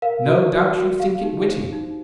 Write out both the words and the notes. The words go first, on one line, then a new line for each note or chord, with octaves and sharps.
No doubt you think it witty!
A#4 F5
F#4
D5
F#4
G4 F5
D#4
C5
D#4